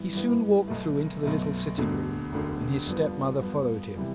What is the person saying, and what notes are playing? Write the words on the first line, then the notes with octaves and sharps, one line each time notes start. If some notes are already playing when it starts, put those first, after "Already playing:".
He soon walked through into the little sitting-room, and his step-mother followed him.
Already playing: G2 E3 B3
G2 E3 B3
B1 B2 A3
B1 B2 A3
E1 D2 D3
E1 D2 D3
G2 F3 B3
G2 F3 B3
C3 E3 G3